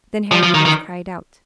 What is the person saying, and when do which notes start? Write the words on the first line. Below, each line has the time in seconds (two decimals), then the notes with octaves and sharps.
Then Heracles cried out.
0.32 F3
0.43 F3
0.55 D#3
0.65 D#3